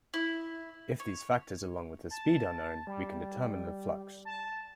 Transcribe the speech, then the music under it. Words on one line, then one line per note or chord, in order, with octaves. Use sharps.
If these factors, along with the speed are known, we can determine the flux.
E4
C#5
A5
G3
A5